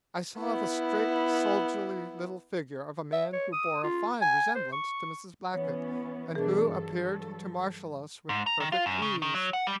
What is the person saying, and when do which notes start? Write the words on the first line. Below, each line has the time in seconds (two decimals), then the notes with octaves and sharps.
I saw the straight, soldierly little figure of a man who bore a fine resemblance to Mrs. Blackett, and who appeared to marshal us with perfect ease.
0.39 B3 E4
3.13 E5
3.33 C#5
3.53 D#6
3.84 F4
4.21 G#5
4.55 C5
4.73 C#6
5.54 E3 B3 C#4 C#5
6.35 B2 E3 F#3 D4 G#4 A#4
6.72 G2 F#3 A4
8.29 G#2
8.46 A#5
8.60 D#3
8.72 F4
8.86 F#2
9.02 C#3
9.22 D#3
9.34 F#3
9.53 F#5
9.67 G3